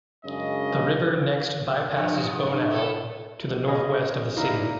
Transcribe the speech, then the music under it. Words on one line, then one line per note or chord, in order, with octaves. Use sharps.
The river next bypasses Bonao to the northwest of the city.
F#2 C#3 G#3 D4 D#5
G2 F3 C#4
F3 B3
G2
B3 C#4 A4
C#4 G#4 D#5
A#2 A#3 D#4 E4